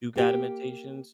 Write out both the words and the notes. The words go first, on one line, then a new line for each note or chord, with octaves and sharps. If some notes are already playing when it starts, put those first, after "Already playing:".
do guided meditations.
A#3 G4